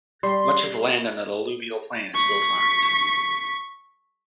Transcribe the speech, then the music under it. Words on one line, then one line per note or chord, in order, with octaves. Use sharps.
Much of the land on the alluvial plain is still farmed.
G3 C6
C#6 B6